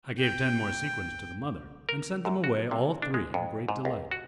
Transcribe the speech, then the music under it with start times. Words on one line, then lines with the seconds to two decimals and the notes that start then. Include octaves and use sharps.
I gave ten more sequins to the mother, and sent them away all three in great delight.
0.20 G5
1.89 A#4
2.25 F#2
2.44 F#4
2.71 C3
3.02 D4
3.14 G#3
3.34 F2
3.69 G#2
3.85 C#2
4.11 F#4